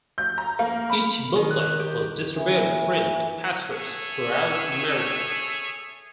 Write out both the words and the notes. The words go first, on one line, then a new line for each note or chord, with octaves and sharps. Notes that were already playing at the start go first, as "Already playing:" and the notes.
Each booklet was distributed freely to pastors throughout America.
G6
A#5
A#3
B5
D#3
F#6
G4
E3
G#4 A4 C#5 E5